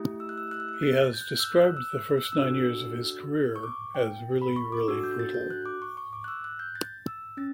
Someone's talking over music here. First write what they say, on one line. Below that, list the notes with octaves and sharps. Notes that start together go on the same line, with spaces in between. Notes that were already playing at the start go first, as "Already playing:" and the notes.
He has described the first nine years of his career as really, really brutal.
Already playing: A3 E4 G4
E6
F#6
E6
F#6
E6
F#6
A6
G6
F#6
G6
E6
F#6
F#6
E6
E6
F#6
E6
D4 F#4 A4
C#6
D6
G5
B5
C#6
D6
D4 F#4 A4 E6
G6
A6
G6
F#6
D6
C#6
C#6
D6
F#6
E6
F#6
G6
A6
E6
C#4 A6